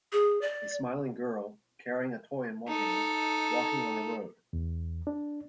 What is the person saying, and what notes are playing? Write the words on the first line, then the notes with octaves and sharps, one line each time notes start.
A smiling girl, carrying a toy in one hand, walking on a road.
G#4
D5
D#4 A4
E2
D4